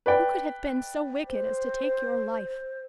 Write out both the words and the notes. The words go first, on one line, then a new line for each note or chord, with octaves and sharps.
"Who could have been so wicked as to take your life?"
B4 D5 G5
C5